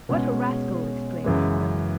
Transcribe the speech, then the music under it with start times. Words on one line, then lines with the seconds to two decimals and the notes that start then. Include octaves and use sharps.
"What a rascal!" exclaimed the clerk.
0.09 B2 G#3 C#4 G#4
1.24 F#2 C#3 E3 G#3